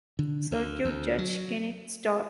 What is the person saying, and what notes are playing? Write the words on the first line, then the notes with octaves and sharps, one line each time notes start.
Circuit judge Kenneth Starr.
D3
D2
D2
F#3